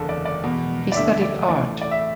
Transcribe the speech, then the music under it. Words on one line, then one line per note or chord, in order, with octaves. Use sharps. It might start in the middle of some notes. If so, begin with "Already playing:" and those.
He studied art.
Already playing: F#1 E2 D3 A4
D5
D5
E2 B2 B3
D5
D2 D3 A3 D4 E5
D5
A1 A2 A3 D5
D5
E5